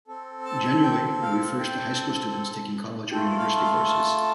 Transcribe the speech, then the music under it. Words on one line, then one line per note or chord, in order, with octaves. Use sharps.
Generally, it refers to high school students taking college or university courses.
C4 A4
A5
G5
F5
G5
A3 F4 A4 G5
F5
F5
A5